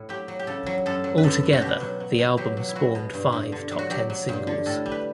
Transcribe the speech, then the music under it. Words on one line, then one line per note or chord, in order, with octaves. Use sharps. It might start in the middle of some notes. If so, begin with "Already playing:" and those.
Altogether the album spawned five top-ten singles.
Already playing: A2
F#3 G4
F#3
G4
C#3 A4
F#3
F#2 A4
F#3
B4
F#2 A4
F#3
F#4
B2 G4
F#3
F#3
B2
F#3 G4
F#3
E4
F#3 F#4
B2
G2
G2
D3
F#3
F#4
F#3 G4
F#3
G2
D3
A2 A4
G3
B4